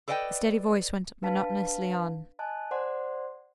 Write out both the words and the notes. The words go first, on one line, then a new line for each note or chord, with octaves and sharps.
The steady voice went monotonously on.
A4 B4 D5 D#5 F#5 G5
D4 B4 F5 A5 B6
D#5 G#5 A5 F#6
C5 D5 F#5 C6